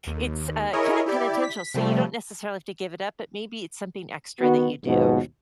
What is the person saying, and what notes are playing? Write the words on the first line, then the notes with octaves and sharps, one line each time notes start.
it's, uh, kinda penitential, so you don't necessarily have to give it up, but maybe it's something extra that you do.
D#2
E4 G#4 A#4 C#5 D#5
E4 G4 D5
B6
C3 F3 G3 A3
D#3 B3 F#4
D#2 G#2 B2 F3 B3